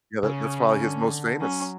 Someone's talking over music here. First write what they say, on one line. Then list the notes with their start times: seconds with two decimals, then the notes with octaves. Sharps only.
yeah, that that's probably his most famous.
0.23 C#3 C#4
0.82 D3
1.41 F#3 C#4